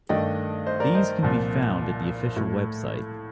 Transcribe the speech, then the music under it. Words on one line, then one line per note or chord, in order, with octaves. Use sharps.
These can be found at the official website.
G2 D#3 A3 D4 D#5 G5
C5 D#5
A#4 D5
C5 D#5
C2 A#2 F3
A2 A3